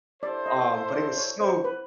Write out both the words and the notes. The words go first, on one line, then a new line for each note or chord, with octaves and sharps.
um, but it was so
E4 A4 C5 D5
D#5
D5
C#5
C5
B4